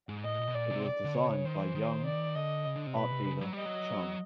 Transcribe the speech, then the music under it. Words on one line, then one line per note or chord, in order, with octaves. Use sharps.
It was designed by Jung "Art Dealer" Chung.
G#2
A2 D#5
A#2
B2
A#2 D5
C3
D5
D3
C#3 C#5
C#3
D#3 C5
E3
D#3
D5
D3 D#5
C#3
D3
C3
B2 B4
C3
C#3
F#3
G3 D#5
F#3